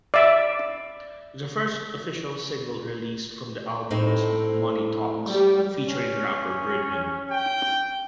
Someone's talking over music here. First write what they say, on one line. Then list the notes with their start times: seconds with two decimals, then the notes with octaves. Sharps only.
The first official single released from the album was "Money Talks" featuring rapper Birdman.
0.14 D5 E5
3.91 A2 C4 D#4
5.26 G3
5.88 C#4
7.31 G5